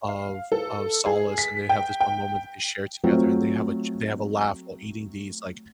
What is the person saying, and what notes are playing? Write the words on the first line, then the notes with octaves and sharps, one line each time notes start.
of of solace, and they have this one moment that they share together, and they have a j they have a laugh while eating these, like,
F5
A4
G#4
B6
G5
G5
F#3 A3 C4 F4